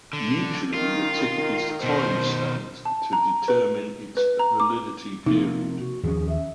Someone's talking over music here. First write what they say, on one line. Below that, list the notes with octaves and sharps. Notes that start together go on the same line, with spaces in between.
Usually, the ticket is time-stamped to determine its validity period.
D3
D#3 F4
D#3
B2 D#3 C5
A5
A#5
B4
B4
A#5
D6
C3 F3 A#3 D#4
F#4
D#2 F3 C#4 G#4
E5